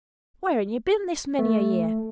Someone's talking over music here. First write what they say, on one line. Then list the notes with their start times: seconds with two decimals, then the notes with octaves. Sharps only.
Where han ye been this many a year?
1.39 A3